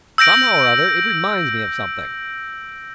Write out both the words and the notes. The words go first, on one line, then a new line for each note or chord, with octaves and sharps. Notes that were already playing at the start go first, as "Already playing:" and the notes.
"Somehow or other, it reminds me of something."
E6 G6 A#6 D7